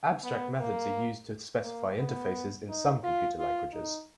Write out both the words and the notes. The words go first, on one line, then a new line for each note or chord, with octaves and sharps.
Abstract methods are used to specify interfaces in some computer languages.
B3
A#3
A#3
B3
D#4
F4
F4
D#4